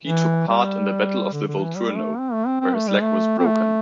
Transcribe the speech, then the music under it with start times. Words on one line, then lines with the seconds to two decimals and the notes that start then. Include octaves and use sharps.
He took part in the Battle of the Volturno, where his leg was broken.
0.05 E3
0.48 G3
1.33 D3
1.47 D3
1.61 E3
1.76 G3
1.97 A3
2.19 C4
2.33 A3
2.47 C4
2.61 C4
2.75 A3
2.88 G3
3.02 A3
3.39 C4
3.47 A3